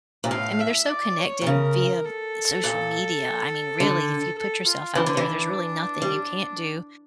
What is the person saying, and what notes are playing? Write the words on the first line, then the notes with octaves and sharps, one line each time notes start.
I mean they're so connected via social media. I mean really if you put yourself out there, there's really nothing you can't do.
A#2
A2 F5
E5
D5
C#5
A#2
C#3 A#4
A4
A#2
D3
A4
F4
E3 D4
D3
E3
G3